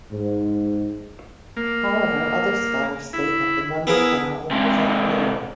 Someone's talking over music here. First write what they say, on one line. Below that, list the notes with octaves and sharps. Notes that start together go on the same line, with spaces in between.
However, other scholars state that the number cannot represent Nero.
G#2
A#3
E4
B3 E4 G#4 A#4
C3 G#3